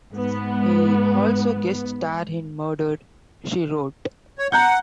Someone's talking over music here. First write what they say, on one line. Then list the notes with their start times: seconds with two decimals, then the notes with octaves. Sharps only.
He also guest starred in "Murder, She Wrote".
0.12 G#2 B3
4.39 C#5
4.52 F#5 A#5 F#6 G6